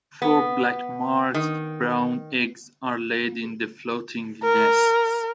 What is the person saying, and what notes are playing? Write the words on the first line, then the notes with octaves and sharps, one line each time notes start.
Four black-marked brown eggs are laid in the floating nests.
B3
D#3
A#4